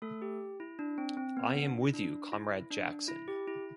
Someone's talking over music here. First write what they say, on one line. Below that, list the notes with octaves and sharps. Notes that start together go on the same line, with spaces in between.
I am with you, Comrade Jackson.
A3 A4
G4
E4
D4
C4
C4
B3
D4
E4
D4
E4
D4
E4
G4
E4